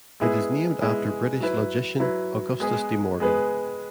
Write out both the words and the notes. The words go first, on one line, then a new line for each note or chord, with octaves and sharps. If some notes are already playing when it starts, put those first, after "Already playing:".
It is named after British logician Augustus De Morgan.
G#3 B3 E4 G#4
G#3 B3 E4 G#4
F#3 E4 B4
F#3 E4 B4
G#3 B3 G#4 B4
G#3 B3 G#4 B4